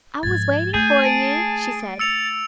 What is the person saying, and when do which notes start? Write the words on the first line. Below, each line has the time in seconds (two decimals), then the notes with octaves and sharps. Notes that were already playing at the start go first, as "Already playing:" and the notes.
"I was waiting for you," she said.
0.23 G#2 F3 G#6 A6
0.74 A3 G#4 G6
1.04 A5 D7 D#7
1.99 E6 A6 C#7 F7